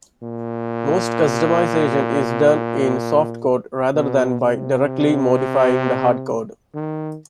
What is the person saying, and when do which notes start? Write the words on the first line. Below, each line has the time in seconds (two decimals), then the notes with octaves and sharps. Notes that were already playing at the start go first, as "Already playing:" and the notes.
Most customization is done in "softcode" rather than by directly modifying the hardcode.
0.22 A#2
3.95 B2
4.41 C3
6.74 D#3